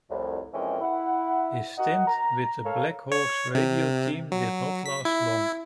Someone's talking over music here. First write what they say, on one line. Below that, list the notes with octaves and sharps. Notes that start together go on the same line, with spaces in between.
His stint with the Blackhawks radio team did not last long.
C2 F2 A2
F2 E3 G#3 C#4 A#4 G5
E4 F#5
F#4 A#4 D#5 F#5
A#5
A4 A#4 C#5 F5
C#5
C3
F#3
B6
E4